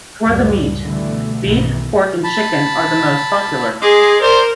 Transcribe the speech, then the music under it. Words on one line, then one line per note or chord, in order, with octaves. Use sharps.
For the meat, beef, pork, and chicken are the most popular.
C#2 F#2 A2 G3
B2 D3 E3 G3 A3
B1 G2 B2 D#3 E3
A5 B5
G#4 D#5 C6 D6
A#4 C5 D5